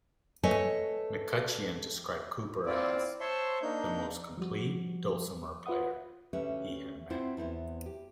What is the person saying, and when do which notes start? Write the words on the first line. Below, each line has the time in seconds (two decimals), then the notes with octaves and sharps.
McCutcheon described Cooper as "the most complete dulcimer player" he had met.
0.43 A3 B4 C#5 D#5 G#5
2.66 C4 E4 F4 D5
3.20 C5 C#5 E5 A5 C6 C#6
3.62 A#3 D4 D#4 G6
4.38 F3 G3 F#4
5.66 F4 B4 E5 F#5 D#6
6.33 D2 G3 C#4 B4 E5
7.10 C4 E4 F4 C5 F#5
7.37 E2 B3 C4 E4
7.86 G4